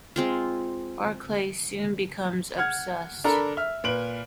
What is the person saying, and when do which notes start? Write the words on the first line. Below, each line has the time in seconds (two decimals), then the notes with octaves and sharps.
Barclay soon becomes obsessed.
0.16 G#3 C4 F4
2.58 F#5 F6 G#6
3.24 D4 A4 A#4 A#5 B5
3.57 E5 F6
3.84 A#2 B4 D7 F#7